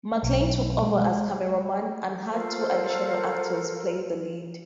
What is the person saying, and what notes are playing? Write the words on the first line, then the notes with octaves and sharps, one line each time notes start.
Maclaine took over as cameraman and had two additional actors play the lead.
B1
G#3
G#3
F4 A4 A#4 C5